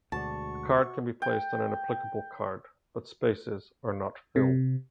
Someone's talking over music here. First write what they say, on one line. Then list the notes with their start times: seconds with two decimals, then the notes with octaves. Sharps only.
A card can be placed on an applicable card, but spaces are not filled.
0.12 D2 B2 G#3 F#4 D5 A5 C#6
1.22 G5
4.36 C3